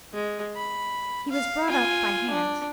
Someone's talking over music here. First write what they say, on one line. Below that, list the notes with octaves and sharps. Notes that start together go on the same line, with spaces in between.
He was brought up by hand.
G#3
B5
F5
F4 G#5
D4